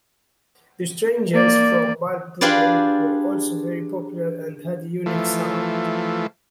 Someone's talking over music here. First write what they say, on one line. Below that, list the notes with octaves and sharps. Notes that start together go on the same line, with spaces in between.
The Strangers from Balbriggan were also very popular and had a unique sound.
A#3 D5
D4 F4 G4 G#4 B4 D5
E3 F3 A3